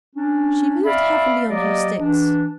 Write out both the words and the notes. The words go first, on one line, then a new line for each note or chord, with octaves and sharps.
She moved heavily on her sticks.
C#4 D4
C4 D5 E5 F5 B5
F#3 A#3 G4 D5 D#5
E3 D4